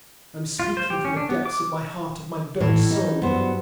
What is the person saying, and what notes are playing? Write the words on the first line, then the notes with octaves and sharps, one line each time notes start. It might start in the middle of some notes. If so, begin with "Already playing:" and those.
I am speaking from the depths of my heart--of my very soul.
F4
C5
G4
C#4
D4
B3
D6
A2 E3
D#4
G2 F#3 B3 C5